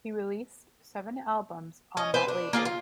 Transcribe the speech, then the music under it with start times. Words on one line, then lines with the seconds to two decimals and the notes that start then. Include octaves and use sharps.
He released seven albums on that label.
1.97 C#4 D#5
2.14 C4 B4 C5
2.28 D4
2.53 A#3 F4 G#4
2.65 F4